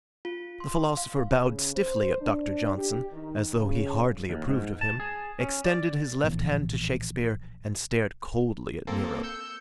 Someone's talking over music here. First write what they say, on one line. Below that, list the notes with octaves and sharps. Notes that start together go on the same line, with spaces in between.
The philosopher bowed stiffly at Doctor Johnson, as though he hardly approved of him, extended his left hand to Shakespeare, and stared coldly at Nero.
F4
C6
F5
C#3
C5
D4
G4
D#3
C#3
D#2
G#2
A5
G#4
C#4
D5
A#1 A2 E3 B3
A#3 C4 A4
E6 G6 C#7